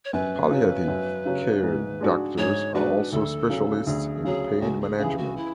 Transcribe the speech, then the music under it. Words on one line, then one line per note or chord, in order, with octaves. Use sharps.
Palliative care doctors are also specialists in pain management.
C#5
F#2 B4
C#3 F#3
F#2
C#3 F#3
G#2
G#3 D4 F#4
G#2 C#5
G#3 D4 F#4 B4
D2 A4
C#3 F#3
D2 G#4
C#3 F#3 G#4
C#2 F#4
G#4
C#3 E3 G#4
F#4
E4